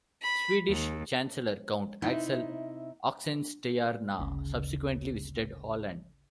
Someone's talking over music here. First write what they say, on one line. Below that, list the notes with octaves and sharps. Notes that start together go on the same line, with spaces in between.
Swedish chancellor Count Axel Oxenstierna subsequently visited Holland.
B5
D#2
C3 D#4 E4 D#5
G#1 D2 C#3